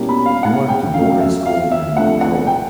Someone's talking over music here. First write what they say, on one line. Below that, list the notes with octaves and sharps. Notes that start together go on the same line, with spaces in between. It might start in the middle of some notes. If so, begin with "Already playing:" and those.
He went to boarding school in Drôme.
Already playing: B2 G3 A#3 C#4 E4
B5
F5
F#5
G5
C#3 F#3 A3 F5
E5
F5
E5
C3 F3 A3 D4 F#5
F#5
G5